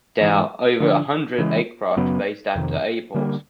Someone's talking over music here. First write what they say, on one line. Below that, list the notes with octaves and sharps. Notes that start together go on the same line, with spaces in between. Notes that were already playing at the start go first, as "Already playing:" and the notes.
There are over a hundred aircraft based at the airport.
G#2 E3 G#3
D3 F3 A3 D4
C#3 E3 G#3
F#2 C#3 F#3 B3
F2 C3 D#3
D3 G3 A#3